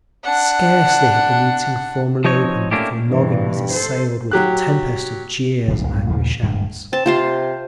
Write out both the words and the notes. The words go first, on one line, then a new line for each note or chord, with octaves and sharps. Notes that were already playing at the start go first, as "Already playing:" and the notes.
Scarcely had the meeting formally opened before Nogin was assailed with a tempest of jeers and angry shouts.
D4 F#5
F3 C4 D#4 C#5
A3 A#3 C#4 D4 E4 G4
G2 B2 E3
A4 C5
F#3 G4 F#6
D1 B1 A2 F3
B1 G2 B2 G#3
D#2 A#2 C#3 F3
D1 G2 A#2 G#3
C4 A5
C3 F4 C5 F5